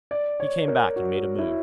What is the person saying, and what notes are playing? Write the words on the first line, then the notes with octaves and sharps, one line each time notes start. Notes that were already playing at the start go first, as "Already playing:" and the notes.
He came back and made a move.
D5
C#5
A#4
F#4
E4